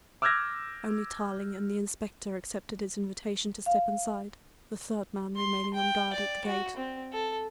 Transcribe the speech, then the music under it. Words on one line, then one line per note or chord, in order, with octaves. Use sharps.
Only Tarling and the Inspector accepted his invitation to step inside, the third man remaining on guard at the gate.
D6 E6 F6 G6 G#6 A#6
F5
C6
G5
D5
F#4
C4
A4